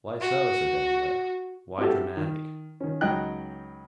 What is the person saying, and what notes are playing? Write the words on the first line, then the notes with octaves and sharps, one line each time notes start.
"Why so?" said Danglars; "why dramatic?"
F#4
C4 E4 F#4 G4 A4
D#3
D#3 C#4
C#2 F#3 D#4 D#5 G5 F#6